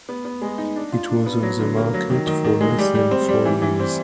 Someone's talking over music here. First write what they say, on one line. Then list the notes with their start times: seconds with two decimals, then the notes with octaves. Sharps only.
It was on the market for less than four years.
0.09 B3
0.25 B3
0.42 G#3
0.58 D#4
0.76 D4
0.92 F4
1.09 D4
1.26 B3
1.43 F#3
1.59 D3
1.77 A#3
1.94 F#3
2.10 D#3
2.27 D#3
2.44 D#3
2.61 G#3
2.78 G3
2.95 G3
3.11 C4
3.28 G3
3.45 E3
3.62 E3
3.80 C4